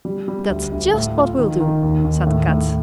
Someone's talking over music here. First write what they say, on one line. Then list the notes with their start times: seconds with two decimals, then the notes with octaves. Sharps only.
"That's just what we'll do," said Kat.
0.05 G3
0.28 G3
0.49 D2
0.72 D2
0.93 A2
1.17 F4
1.38 D#3
1.60 D#3
1.83 D#2
2.05 D#2
2.27 A2
2.49 A2